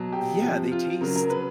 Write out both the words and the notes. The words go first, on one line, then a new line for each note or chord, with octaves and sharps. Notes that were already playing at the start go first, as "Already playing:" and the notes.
Yeah, they taste
Already playing: B2 F#3
G4
C3 F3
F4
C#3 F#3 A#4
A#4
B4